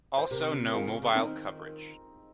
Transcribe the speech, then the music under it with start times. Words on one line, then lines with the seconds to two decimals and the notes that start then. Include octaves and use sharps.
Also no mobile coverage.
0.18 C5
0.31 C3 G4 A#4
0.69 A#4
0.73 D#3 F4 G#4
0.88 C#3
1.02 C#3
1.15 D#3 C4 D#4